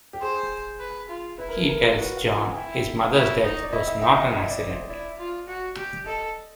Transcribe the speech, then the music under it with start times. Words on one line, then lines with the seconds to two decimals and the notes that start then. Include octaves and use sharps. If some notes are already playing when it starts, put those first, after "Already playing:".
He tells Jon his mother's death was not an accident.
0.13 G4
0.22 G#4 C5
0.80 B4
1.09 F4
1.38 E4 B4
1.49 A#4
1.58 A4
1.69 A#4
1.97 F#4 B4
2.17 F5
2.26 F4
2.36 F#5
2.49 G#5
2.55 E4 G5
2.75 G5
2.94 E5
3.14 E4 C#5
3.43 D#4
3.63 D5
3.72 E4 D#5
3.87 E5
4.01 D#4 E5
4.16 D#5
4.31 E4 D#5
4.50 D5
4.70 C5
4.89 E4 D5
5.19 F4
5.48 F#4
5.77 G4
6.06 A4 D#5